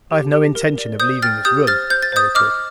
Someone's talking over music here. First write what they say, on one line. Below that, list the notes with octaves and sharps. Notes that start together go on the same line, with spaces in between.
"I have no intention of leaving this room," I retorted.
G4
G4
A#4
D5
C5 D#6 G6
G5 F6 A6
G4 D#6 G6
C5 F6 A6
C5 G6
A6
C5 D#6 G6
D#5 D6 F6